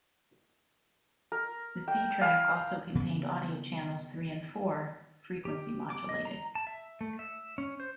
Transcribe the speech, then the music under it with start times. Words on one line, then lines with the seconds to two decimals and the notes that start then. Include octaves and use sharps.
The C track also contained audio channels three and four, frequency modulated.
1.32 A#4
1.88 G5
2.21 F5
2.95 C#3 B3
5.45 G4
5.90 D6
6.09 D#5
6.25 A#5
6.55 A5
6.67 E5
7.01 A3
7.19 E5
7.58 C#4
7.80 C5